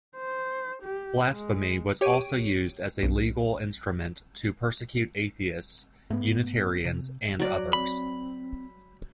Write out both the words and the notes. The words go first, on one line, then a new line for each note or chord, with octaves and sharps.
Blasphemy was also used as a legal instrument to persecute atheists, Unitarians, and others.
C5
G4
G#3
G4 C#5 D7 D#7
B1
G#2 A3 B3
C3
F#3 D5
C4 B5